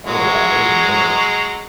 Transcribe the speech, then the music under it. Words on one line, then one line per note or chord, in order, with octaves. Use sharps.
Oh, wow. I didn't even know that.
F#3 G#3